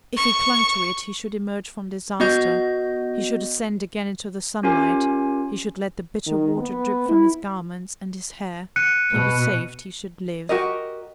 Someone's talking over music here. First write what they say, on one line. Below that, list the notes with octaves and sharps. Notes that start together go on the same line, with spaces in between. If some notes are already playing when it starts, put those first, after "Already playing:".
If he clung to it, he should emerge from disaster, he should ascend again into the sunlight, he should let the bitter water drip from his garments and his hair, he was saved, he should live.
C#6
B3 F#4 D#5 G6
C#4 F4 G4 A#4 G#5
D#3
B3
E4
F#6 C#7 D#7
B2
F#4 G4 A#4 D#5